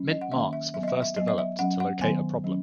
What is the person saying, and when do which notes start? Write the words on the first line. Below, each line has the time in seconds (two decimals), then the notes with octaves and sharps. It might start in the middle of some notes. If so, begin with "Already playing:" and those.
Mint marks were first developed to locate a problem.
Already playing: F#3 C#4
0.11 D#5
0.21 F#5
0.31 D#3 A#3 C#4 E5
0.53 E5
0.74 F#3 E5
0.78 B3
0.83 D#5
0.88 E5
1.02 E5
1.16 F#3 B3 D#5
1.28 D#5
1.38 E5
1.59 F#3 C#4 F#5
1.80 F#5
2.01 D#3 F#3 B3 G#5
2.44 F#3 C#4